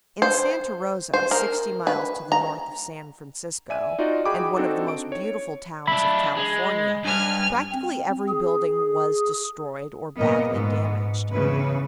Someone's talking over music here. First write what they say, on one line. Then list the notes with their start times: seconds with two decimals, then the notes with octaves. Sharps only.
In Santa Rosa, sixty miles to the north of San Francisco, and one of the most beautiful towns of California, practically every building was destroyed or badly damaged.
0.22 C5
1.14 C5
1.31 A#4
1.87 B4
2.32 A#5
3.70 D5 E5 G#5 D#7
3.99 D#4 F4 F#4 D5 D#5
4.26 F#4 G#4 G5 B5 D6
4.57 C4 D4 D#4 F#4 A4
4.88 D7
5.12 C#5
5.87 D4 E4 B5
6.37 G#3
7.05 G2 G#5 F6
7.72 C4
8.28 G#4
10.18 A#2 B3 A#4 D#5
10.52 G#2 B3
11.30 E2 C#3 C#4 B4